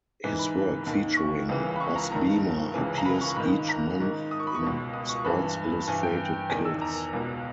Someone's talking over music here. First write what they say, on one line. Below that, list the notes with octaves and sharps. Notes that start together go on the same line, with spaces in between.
His work featuring Buzz Beamer appears each month in "Sports Illustrated Kids".
G#2 E3
B5
D#2 D#3
C#6
C#2 C#3 E3
B5
C#6
A#5
G2 D#3 A#5
C#2 C#3 E3
A#5
B5
C#6
G#2 D#3 B5
A#5
G#2 D#3
D#6
C#6
B5
C#6
C#2 B2
D#6
C#6
G2 E3 B5
G2 E3 G#5
G5
E2 D#3 G#5
E6
A#5
C#2 B2